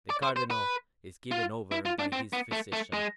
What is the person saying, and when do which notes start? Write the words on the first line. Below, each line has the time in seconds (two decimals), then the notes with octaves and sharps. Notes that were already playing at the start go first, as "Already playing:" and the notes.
The cardinal is given over by his physician.
0.10 D5
0.23 C5
0.36 C5
0.51 B4
1.31 F4
1.72 E4
1.85 F4
1.99 D4
2.13 C4
2.33 B3
2.52 A3
2.73 A3
2.94 G#3